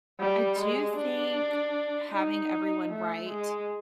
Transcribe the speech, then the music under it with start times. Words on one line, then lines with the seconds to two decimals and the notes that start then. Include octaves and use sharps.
I do think having everyone write
0.20 G3
0.59 G#3
0.96 D4
2.12 D#4
2.90 A3
3.29 G#3